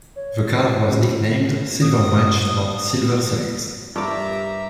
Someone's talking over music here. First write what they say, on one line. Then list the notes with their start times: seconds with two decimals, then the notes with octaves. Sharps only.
The car was nicknamed "Silverwrench" or "Silver Select".
0.16 C#5
0.88 C#3 F#4
1.82 G2 D#6
3.96 G2 G4 A#4 D5 E5 A#5